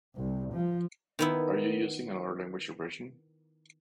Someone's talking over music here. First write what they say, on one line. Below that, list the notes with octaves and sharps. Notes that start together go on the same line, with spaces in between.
Are you using another language or version?
C2
F3
D#3 B3 E4